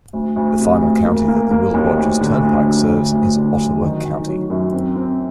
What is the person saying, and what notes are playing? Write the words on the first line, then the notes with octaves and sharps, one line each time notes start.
The final county that the Will Rogers Turnpike serves is Ottawa County.
D2
D2
C3
D2
A#3
A#3
A#3
D#2
D2
D3
D2
D2
D3
D2
D3
F#3
D#3
D#3
F#3
F#2
C4
C4